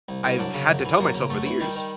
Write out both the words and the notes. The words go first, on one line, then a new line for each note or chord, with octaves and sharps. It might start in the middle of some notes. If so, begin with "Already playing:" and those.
I've had to tell myself over the years,
C2
C2
F#2 D4
C#3
F#2
E3
F#2 A#3
C#3
F#2 A3
E3
D#3 G3
D#3